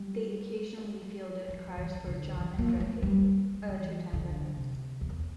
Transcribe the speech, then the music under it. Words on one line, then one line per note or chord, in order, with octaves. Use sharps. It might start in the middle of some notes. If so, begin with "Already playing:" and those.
They occasionally fielded cars for John Andretti, a two-time winner.
Already playing: G3
F3
E3
D3
E3
A#3
A3
G3
E3
D3
C3
E2